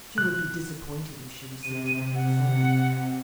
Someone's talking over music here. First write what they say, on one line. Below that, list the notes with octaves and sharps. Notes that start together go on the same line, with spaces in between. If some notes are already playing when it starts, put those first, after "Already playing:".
She will be disappointed if she receives nothing from you.
F#6
C3 D#7
F#5